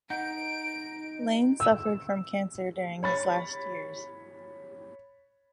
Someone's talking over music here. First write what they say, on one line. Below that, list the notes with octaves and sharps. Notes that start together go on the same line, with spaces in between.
Layne suffered from cancer during his last years.
D#4 F#5 G6 D7
E6
C#5 B5 A6